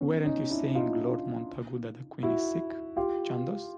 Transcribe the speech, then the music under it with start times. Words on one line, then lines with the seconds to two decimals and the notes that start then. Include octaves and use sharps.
Weren’t you saying Lord Montagu that the Queen is sick, Chandos?
0.01 B3 C#4
0.25 C#4 D#4
0.50 D4 E4
0.75 D#4 F4
2.23 E4 F#4
2.96 F4 G4